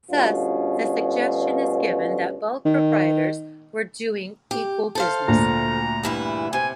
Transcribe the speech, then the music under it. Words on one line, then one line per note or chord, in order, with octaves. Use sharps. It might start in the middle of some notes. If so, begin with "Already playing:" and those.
Thus, the suggestion is given that both proprietors were doing equal business.
D2 G2 B2 C#4 F4
D#3
G4
A4 C5 F5
D2 A#2 A#5
G2 E3 E4
C3 G#5